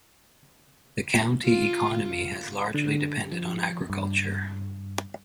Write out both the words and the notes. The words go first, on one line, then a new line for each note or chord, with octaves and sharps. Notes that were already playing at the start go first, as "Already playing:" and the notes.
The county economy has largely depended on agriculture.
F4
D3
F3
G2